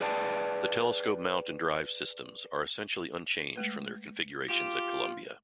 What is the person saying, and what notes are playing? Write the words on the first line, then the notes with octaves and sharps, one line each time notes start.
The telescope mount and drive systems are essentially unchanged from their configurations at Columbia.
G#4 B4 D5 G5 A5
G#3 A3 B4
F4 G4